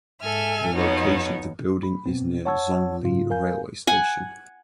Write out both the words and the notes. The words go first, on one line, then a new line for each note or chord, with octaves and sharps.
The location of the building is near Zhongli railway station.
G#2 A4 E5 G#5 F6
F2 B2 D#4 C#5
B5
B2 B3 C4
C#5 F#5 A5 C#6 E6 G#6
G#2 C#3 F4
A#4 F5 G#5 G6
F#5 G#5